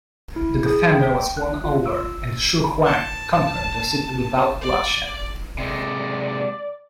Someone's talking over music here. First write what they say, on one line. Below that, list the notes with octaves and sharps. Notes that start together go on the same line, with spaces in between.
The defender was won over and Xu Huang conquered the city without bloodshed.
E4
G#4
G5
F#6
F4
E6
A5
D5
C3 G#3 D5